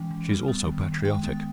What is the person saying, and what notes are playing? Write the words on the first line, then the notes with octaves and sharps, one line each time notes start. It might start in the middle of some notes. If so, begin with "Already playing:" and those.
She is also patriotic.
Already playing: E3 G#3 C#4 G5
E3
G3
B3
D#3
D#3
G#3 G5
B3